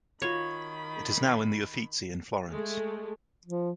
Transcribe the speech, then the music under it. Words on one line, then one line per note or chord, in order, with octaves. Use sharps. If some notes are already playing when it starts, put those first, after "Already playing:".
It is now in the Uffizi in Florence.
D#3 F4 F#4 C#5 B5
G#3 A3
F3